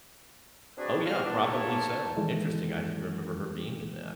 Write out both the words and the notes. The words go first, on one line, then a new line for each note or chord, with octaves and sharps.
oh, yeah, probably so. Interesting, I didn't remember her being in that.
C4 D4 F#4 G#4 B4 D5
E2 G#2 F5 C6 F6
B3 D4
E2 A#3 D#4 E4 C#5 A5
D#3 E3 G#3 E4 A4